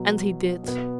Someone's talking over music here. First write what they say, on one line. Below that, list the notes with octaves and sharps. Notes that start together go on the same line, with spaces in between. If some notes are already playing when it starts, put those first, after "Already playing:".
And he did.
Already playing: B2 F#3 B3
B2 B3